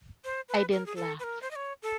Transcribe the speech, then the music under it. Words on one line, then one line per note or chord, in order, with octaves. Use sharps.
I didn’t laugh.
C5
B4
A#4
G#4
A4
B4
A#4
C5
D#5
C#5
A4